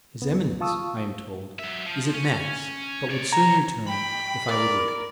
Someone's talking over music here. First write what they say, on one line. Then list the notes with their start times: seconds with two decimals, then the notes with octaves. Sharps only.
"His Eminence," I am told, "is at Mass, but would soon return, if I would wait."
0.22 C#2 B3
0.60 F4 F5 A5 C#6 D#6 E6
1.59 F#3 E5
1.87 F3
2.14 C#4
3.09 C#5 D5
3.33 C2 C#5 A#5
3.88 G5 B5
4.48 A#4 D5